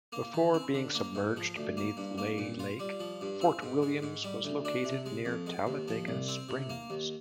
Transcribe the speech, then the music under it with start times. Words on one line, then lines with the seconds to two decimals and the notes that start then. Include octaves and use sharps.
Before being submerged beneath Lay Lake, Fort Williams was located near Talladega Springs.
0.12 A#3
0.34 D#3
0.54 C4
0.74 D3
0.95 A#3
1.15 G#2
1.37 F3
1.57 D2
1.77 A#3
1.97 G2
2.18 A#3
2.38 A#2
2.59 F4
2.79 G3
3.00 F3
3.21 G2
3.41 C4
3.62 G#2
3.82 G#3
4.03 G#2
4.24 G3
4.44 D2
4.65 D4
4.84 C3
5.06 G#3
5.25 F2
5.46 G#3
5.67 D#2
5.88 F3
6.08 C2
6.28 C4
6.49 C3
6.69 A#3
6.90 D#2